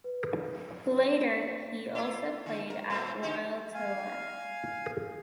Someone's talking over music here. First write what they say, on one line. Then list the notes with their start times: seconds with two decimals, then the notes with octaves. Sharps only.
Later he also played at Royal Tilleur.
0.04 B4
1.95 E4 F4
2.46 D3
2.70 A#4
2.90 A#2 A3 C4
3.23 D3 D#4 G4
3.74 F5 G#5